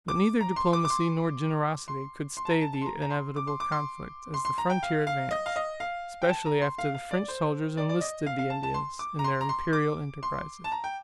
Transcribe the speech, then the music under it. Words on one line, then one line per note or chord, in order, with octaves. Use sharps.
But neither diplomacy nor generosity could stay the inevitable conflict as the frontier advanced, especially after the French soldiers enlisted the Indians in their imperial enterprises.
D6
A#5
C6
D6
D6
C6
C6
C6
A5
A#5
A5
A5
C6
A#5
A#5
C6
D6
C6
D6
C6
C6
C6
A#5
G5
F5
F5
D#5
F5
D#5
F5
G5
A5
A#5
C6
F5
F5
D5
C5
D5
D5
D#5
F5
F5
A5
A5
C6
D6
A#5
C6
A#5
C6
D6
C6
A5
A#5
G5